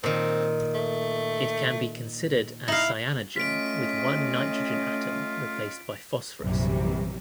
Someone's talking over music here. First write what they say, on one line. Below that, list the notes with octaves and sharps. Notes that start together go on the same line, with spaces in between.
It can be considered as cyanogen with one nitrogen atom replaced by phosphorus.
A#2 D#3 C4
A3
D#4 E4 F5
A3 C#4 F4 D#5 B6 D7
A#1 F#2 C3 E3 F#3 G3